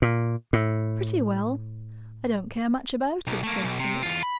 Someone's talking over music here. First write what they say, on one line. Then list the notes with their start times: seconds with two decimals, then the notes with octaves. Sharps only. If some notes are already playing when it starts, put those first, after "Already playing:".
"Pretty well; I don't care much about it," said Philip.
0.02 A#2
0.53 A2
3.27 B1
3.43 A3 A#3
3.64 B1
3.80 C3
4.03 E2 F4
4.23 B5